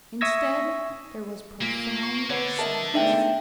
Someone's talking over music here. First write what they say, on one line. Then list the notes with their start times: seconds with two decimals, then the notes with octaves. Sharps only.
Instead there was profound silence.
0.21 E5 C#6 D#6 E6 G#6 A#6
1.61 A#2 A#3 B6
2.03 C#6
2.30 D3 B4 C#5 F#5 G#6
2.59 A#4 D#5 E5 A5
2.94 G#3 A3 B3 D4 D#4 E5 G5